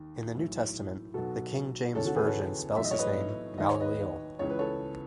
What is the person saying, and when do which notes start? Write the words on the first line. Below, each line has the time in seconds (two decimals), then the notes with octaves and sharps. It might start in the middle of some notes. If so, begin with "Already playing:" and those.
In the New Testament, the King James Version spells his name Maleleel.
Already playing: D#2 D#3
0.32 B1 A2 E3
1.14 B1 B2 F#4 A4
1.95 D#2 C#3 E3 A4 C#5
2.06 F#4 A4
2.15 G#4 B4
2.26 A4 C#5
2.76 B1 A2 E3 E5
2.84 D#5
2.91 C#5
2.99 B4 D#5
3.58 D#2 D#3 D#5
3.69 C#5
3.80 B4 D#5
4.39 C#2 C#3 E3 C#5
4.50 B4
4.59 A4 C#5